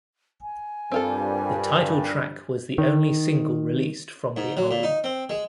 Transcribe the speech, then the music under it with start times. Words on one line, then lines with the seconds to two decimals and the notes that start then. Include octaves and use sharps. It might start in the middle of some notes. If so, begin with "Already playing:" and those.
The title track was the only single released from the album.
0.42 G#5
0.92 G2 G3 C4 F4 A4 A#4
2.78 D#3
4.37 G#2
4.57 F#3
4.71 A#2
4.83 D#4
5.04 C4
5.30 G#3